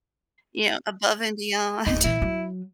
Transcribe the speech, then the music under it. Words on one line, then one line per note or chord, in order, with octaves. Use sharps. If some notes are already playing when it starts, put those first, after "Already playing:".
you know, above and beyond,
D1 D#4
A#2 E3 E4
F#3